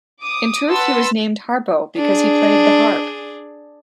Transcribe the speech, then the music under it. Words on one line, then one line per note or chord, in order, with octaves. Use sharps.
In truth he was named Harpo because he played the harp.
D6 D#6
B4 F#5 A5 C6 E6
D4 G#4